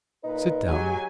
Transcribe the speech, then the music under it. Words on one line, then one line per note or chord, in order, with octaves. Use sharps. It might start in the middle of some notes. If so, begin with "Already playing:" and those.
Sit down.
A#2 D#4 A#4 B4
F#3 G4 G#4 G#5